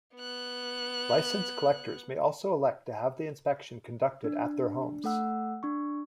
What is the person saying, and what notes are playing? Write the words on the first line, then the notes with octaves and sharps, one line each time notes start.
Licensed collectors may also elect to have the inspection conducted at their homes.
B3 F#6
D4
A3 A4 F#5 E6
D4 C#6